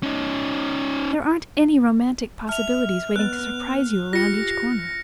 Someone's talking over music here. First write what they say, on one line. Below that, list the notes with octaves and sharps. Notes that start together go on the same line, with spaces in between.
There aren't any romantic possibilities waiting to surprise you around each corner.
C#4 D#4
E5 A5 F6 F7
B3 B4 D#5 F#6
F4 G4 A#6 C#7